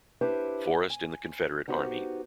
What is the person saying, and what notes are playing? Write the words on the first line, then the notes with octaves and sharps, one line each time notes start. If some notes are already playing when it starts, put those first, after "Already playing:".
Forrest in the Confederate Army.
D4 E4 G4 B4 C5
G#5
B3 D#4 F#4 G4 C5